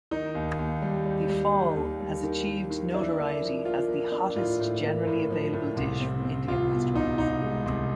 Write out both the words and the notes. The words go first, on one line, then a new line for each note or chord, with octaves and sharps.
The phall has achieved notoriety as the hottest generally available dish from Indian restaurants.
D#3 D#4
D#2
D#2
G3
G3
G3
G3
D#2
G3
D#3
D#3
D#3
D4 E4
A#3
F3
A#3 F4
A#3
D4
A2 F4
A2
A#3
A2
F3
A2
C2
C4
C4
C2 F4
B2
C2 D#4
C2 D#4
G#3
C2